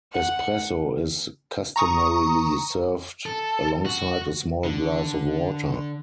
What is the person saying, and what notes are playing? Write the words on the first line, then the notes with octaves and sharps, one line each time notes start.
Espresso is customarily served alongside a small glass of water.
F#5
A#5 C#6 D#6
A4
F#4
D3